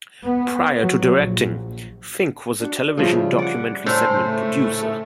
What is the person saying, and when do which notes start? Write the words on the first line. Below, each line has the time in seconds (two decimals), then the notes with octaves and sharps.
Prior to directing, Fink was a television documentary-segment producer.
0.23 B3
0.82 F#3
1.19 A#1
2.60 D4 F#4
2.97 G2 C#3 F3 G3 E4
3.39 D5 F#5
3.86 A2 C#3 C5
4.27 A3